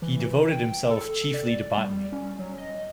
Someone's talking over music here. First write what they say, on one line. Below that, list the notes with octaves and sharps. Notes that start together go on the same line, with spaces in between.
He devoted himself chiefly to botany.
E3
G5
A4
D5
G3
C#4
F#3
D#5